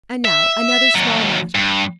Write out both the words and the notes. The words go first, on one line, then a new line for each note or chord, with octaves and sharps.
And now, another small matter.
E5
D#2 F#3
G2